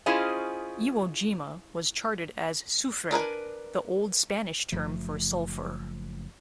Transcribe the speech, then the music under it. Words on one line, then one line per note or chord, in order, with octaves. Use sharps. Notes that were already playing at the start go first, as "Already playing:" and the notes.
Iwo Jima was charted as Sufre, the old Spanish term for sulphur.
C#4 E4 F4 G#4 C5 D#5
D4 A#4 B4 G#5
F#1 F#2 F3 A3